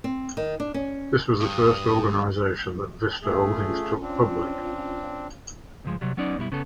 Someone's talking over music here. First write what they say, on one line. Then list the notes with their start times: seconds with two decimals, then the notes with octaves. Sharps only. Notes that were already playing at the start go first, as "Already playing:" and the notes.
This was the first organization that Vista Holdings took public.
0.04 C4
0.37 D#3
0.60 D4
0.74 C#4
1.40 G2 D#6
3.23 A3 C#4 F4 G#4
4.01 C4 D4
5.85 C#2 G2 F3 G#3
6.01 C3 F#3 G3
6.17 F#3 B3 C#4 D#4 D5
6.37 F#2 B2 G3 E4
6.52 C#3 B3 A4